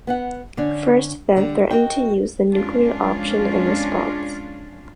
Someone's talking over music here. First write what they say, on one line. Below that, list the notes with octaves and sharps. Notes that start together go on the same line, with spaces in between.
Frist then threatened to use the nuclear option in response.
B3 B4 F#5
D3 C#4 D4
D3 G3
F#4 A#4 D#5 G5
F2 G#3 C#4 D4 F4